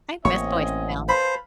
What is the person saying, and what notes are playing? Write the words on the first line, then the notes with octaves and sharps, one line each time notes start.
I miss voicemail.
A1 A#3 C4 C#4 C#5 D#5
B4 C5 F5 A5 B5